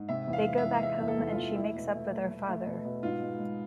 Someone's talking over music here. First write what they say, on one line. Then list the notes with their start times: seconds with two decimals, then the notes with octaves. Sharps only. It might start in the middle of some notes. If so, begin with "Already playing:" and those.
They go back home and she makes up with her father.
Already playing: G#2
0.09 C3 E5
0.28 E2
0.33 F5
0.46 G#3
0.58 E5
0.65 E2
0.78 F5
0.83 G#3 E5
1.01 E2
1.08 A4
1.19 E2
1.32 F4
1.38 E2
1.56 A3 E4
1.75 B2
1.94 A3
2.11 A3
2.30 A3
2.48 A3
2.66 B2
2.85 B2
3.03 G#2 F4
3.22 G#3
3.39 G#3